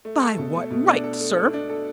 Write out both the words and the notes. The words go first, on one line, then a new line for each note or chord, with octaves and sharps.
"By what right, sir?"
A3
A4
B2
A3
B2
D4
A4
A3
A4
D4
A4